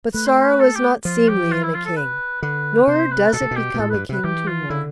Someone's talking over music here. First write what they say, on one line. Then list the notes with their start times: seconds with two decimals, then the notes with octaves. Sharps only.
But sorrow is not seemly in a king, nor does it become a king to mourn.
0.14 A3 B4
0.26 C5
0.37 C5
0.48 B4
0.60 A4
0.75 G4
1.05 F3 F4
1.28 G4
1.51 F4
1.63 E4
1.74 F4
1.85 A4
1.97 B4
2.42 D3 B4
2.87 C3 C5
3.11 B4
3.33 B2 A4
3.41 C3
3.51 B2
3.56 G4
3.74 B2
3.79 A2 A4
3.90 G2 B4
4.09 C3 B4
4.24 E3 G4
4.47 F4
4.70 D3 E4